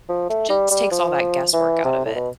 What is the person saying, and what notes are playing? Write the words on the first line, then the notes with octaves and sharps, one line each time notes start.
Just takes all that guesswork out of it.
F3
A3
G3
G3
F3
E3
C3
A2
B2